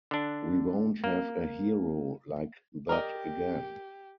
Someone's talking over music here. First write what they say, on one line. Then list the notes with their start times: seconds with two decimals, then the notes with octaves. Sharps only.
We won't have a hero like that again!
0.11 D3 D4
1.04 A#3
2.89 G4 A#4 D5 D#5